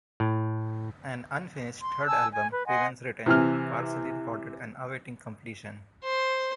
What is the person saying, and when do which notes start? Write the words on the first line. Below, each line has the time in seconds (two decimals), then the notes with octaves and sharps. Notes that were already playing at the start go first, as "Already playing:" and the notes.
An unfinished third album remains written, partially recorded and awaiting completion.
0.20 A2
1.81 C6
2.07 G#5 A5 E6
2.32 G#5
2.51 B4
2.67 D#5 F#5 G#5 C6
3.26 C3 E3 G#5 F6
6.04 C5